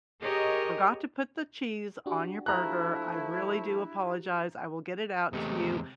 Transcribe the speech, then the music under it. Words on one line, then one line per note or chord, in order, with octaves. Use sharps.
forgot to put the cheese on your burger, I really do apologize, I will get it out to you,
G4 G#4 A#4 C#5 D#5
D4 F#4 G4
F3 A3 E4 A#5 F#6
E2 C3 G#3 A3